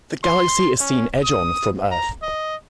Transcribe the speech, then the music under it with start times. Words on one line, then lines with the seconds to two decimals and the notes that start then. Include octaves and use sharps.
The galaxy is seen edge-on from Earth.
0.24 C6
0.80 C#4
1.23 D#6
1.91 A#5
2.22 D#5